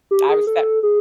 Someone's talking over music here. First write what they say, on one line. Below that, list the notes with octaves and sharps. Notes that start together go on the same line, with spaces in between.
I was set f
G4
G#4
A4
G#4